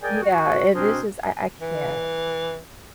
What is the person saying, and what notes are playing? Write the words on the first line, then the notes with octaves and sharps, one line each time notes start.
Yeah, and it's just I I can't
G#4 A#4 D5 D#5 G5 G#5
F#4
B2 C4 D4 G#4 A#4 C5
E3